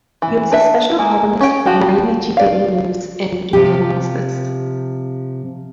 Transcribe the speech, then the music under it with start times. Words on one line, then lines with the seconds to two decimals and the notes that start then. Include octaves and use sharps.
He was a special columnist for Mainichi Daily News and Japanalysis.
0.22 E3
0.52 D4 B4 E5
0.99 G#3 A#3
1.41 C#4 G5
1.66 F3 F#4 G4
2.37 D5 F5
3.53 C3 F3 G4